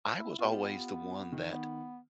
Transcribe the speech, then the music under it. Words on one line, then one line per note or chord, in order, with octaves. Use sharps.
I was always the one that
E4
B3 F4 G4
D#3
B3